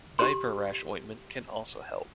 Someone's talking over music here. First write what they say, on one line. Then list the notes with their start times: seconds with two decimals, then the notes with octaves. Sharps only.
Diaper rash ointment can also help.
0.19 G4 C6